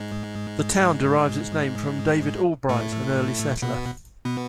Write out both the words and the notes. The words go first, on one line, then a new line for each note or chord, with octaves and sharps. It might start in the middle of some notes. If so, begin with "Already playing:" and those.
The town derives its name from David Albright, an early settler.
Already playing: G#2 G#3
A2 A3
B2 B3
B2 B3